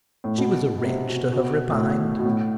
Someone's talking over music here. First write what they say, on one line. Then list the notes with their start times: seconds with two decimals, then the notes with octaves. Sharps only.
She was a wretch to have repined.
0.24 A2
0.38 B2
0.77 B2
0.85 C3
1.08 B2
1.32 B2
1.70 A2
1.79 B2
2.18 B2
2.25 A2